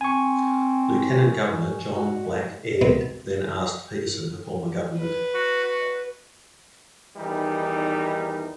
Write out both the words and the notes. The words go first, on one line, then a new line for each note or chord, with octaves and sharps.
Lieutenant-Governor John Black Aird then asked Peterson to form a government.
C4 G#5 C#6
F#4
B2 G#3 B3 C4
B4
F#4
F#4
E2 D#3 E3 G3 D#4